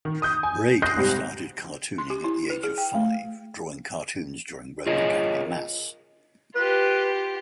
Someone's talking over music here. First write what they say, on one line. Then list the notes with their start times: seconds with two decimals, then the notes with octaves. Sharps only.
Brady started cartooning at the age of five, drawing cartoons during Roman Catholic mass.
0.05 D#3
0.22 D#6 G6
0.43 G#5
0.82 D#6 F#6 G6 A#6 C7
0.97 G#2 C3 G3
1.98 C6
2.10 G4
2.24 E4
2.50 B4
2.63 G#4
2.78 G5
2.95 A3
4.87 F4 G#4 A#4 C#5 D#5
6.55 F4 G4 B4